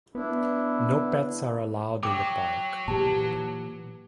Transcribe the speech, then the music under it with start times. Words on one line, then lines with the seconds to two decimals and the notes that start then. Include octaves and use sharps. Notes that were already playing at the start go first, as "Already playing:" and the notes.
No pets are allowed in the park.
0.15 B3 D4 E4
2.03 F#3 G5 D6
2.88 A#2 E3 G4 B4 A5